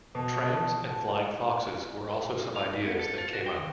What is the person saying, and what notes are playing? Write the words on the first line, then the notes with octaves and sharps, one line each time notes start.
Trams and Flying Foxes were also some ideas that came up.
B2 A5
B1
F5
G2
B3
A4
F4
F#4
G5
D#3